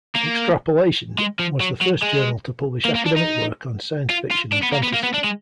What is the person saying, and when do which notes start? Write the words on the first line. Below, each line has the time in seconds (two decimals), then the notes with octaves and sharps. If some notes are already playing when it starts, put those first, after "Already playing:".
"Extrapolation" was the first journal to publish academic work on science fiction and fantasy.
0.15 A#3
1.19 G#3
1.39 F3
1.60 F#3
1.81 F#3
2.02 G#3
2.85 A#3
2.95 A#3
3.06 D4
3.16 D#4
4.10 F4
4.31 F4
4.52 D4
4.62 B3
4.72 A#3
4.83 B3
4.93 A#3
5.03 B3
5.14 D4
5.24 G#3